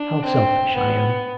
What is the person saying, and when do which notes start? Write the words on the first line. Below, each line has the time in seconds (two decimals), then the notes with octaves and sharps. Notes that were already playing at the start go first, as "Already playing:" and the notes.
How selfish I am.'
Already playing: D4
0.25 C4
0.76 B3